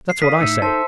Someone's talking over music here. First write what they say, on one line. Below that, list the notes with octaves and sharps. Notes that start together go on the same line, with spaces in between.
'That's what I say.
C7
A#4 D5 F5 D#6 B6
A2 D#4 E5 C#7
D#4 A4 C5 E5 A5